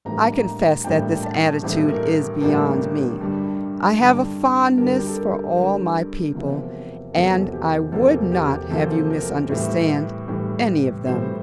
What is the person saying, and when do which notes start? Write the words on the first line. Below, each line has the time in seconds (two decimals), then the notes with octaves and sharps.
I confess that this attitude is beyond me; I have a fondness for all my people, and I would not have you misunderstand any of them.
0.05 A1 A2 G3 A#3 D4 A#5
0.32 A#5
0.84 A1 A2 G3 A#3 D4 G5
1.23 A5
1.63 A1 A2 G3 A#3 D4
1.88 A#4
2.41 A1 A2 G3 A#3 D4 A#4
3.20 G2 D3 G3 D4
3.99 G2 D3 G3 D4
4.77 G2 D3 G3 D4 A#4
4.98 G4
5.07 A4
5.17 A#4
5.56 G2 D3 G3 D4 A#4
6.35 E1 E2 C3 F3 A#3
7.13 E1 E2 C3 F3 A#3 A4
7.53 G4
7.92 E1 E2 C3 F3 A#3 A4
8.32 G4
8.70 E1 E2 C3 F3 A#3 A4
9.10 A#4
9.49 A2 E3 G3
10.28 A2 E3 G3
11.07 A2 E3 G3 C5